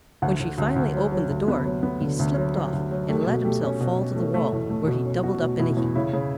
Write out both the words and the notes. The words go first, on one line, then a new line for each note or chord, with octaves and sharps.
When she finally opened the door he slipped off and let himself fall to the wall, where he doubled up in a heap.
D2 F#5
D2
D2
D2
F#3
F#3
D2
B3
F#3
B3
D3
D2
F#3
F#3
D2
F#3
A3 G4
B2
A3 G4
C#4
B2
C#4
A3
A3
E2
A3
B2
C#4
B2 F#4
B2
B2 E4
E2
C#3 E4
C#3